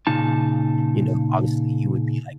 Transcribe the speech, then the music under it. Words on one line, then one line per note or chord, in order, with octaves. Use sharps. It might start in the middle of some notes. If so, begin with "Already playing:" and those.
you know, obviously you would be, like,
A#2 C#3 D#4 A5